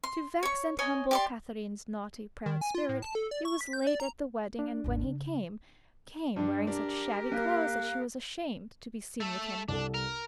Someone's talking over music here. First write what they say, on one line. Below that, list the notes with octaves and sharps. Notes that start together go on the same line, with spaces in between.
To vex and humble Katharine's naughty, proud spirit, he was late at the wedding, and when he came, came wearing such shabby clothes that she was ashamed to be seen with him.
C6
C#5 C#6
C#5 D#5 G#5
G4 D5 C6
D#3
G#5
F4
A2
A5
A4
D5
C#6
B6
G6
D5
A#5
D4
G#1 D#2
C#3
G2 D4
D4 G4 A#4
A#3 F5 F#6
A3 A4
C2 C3 D4 A4
A#4